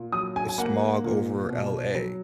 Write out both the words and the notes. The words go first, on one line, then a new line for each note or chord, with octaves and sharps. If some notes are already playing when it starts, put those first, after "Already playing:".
the smog over LA.
Already playing: A#2
F#3 D#6
G#5
G#5
A#3 F#5
A#2
B2
F#3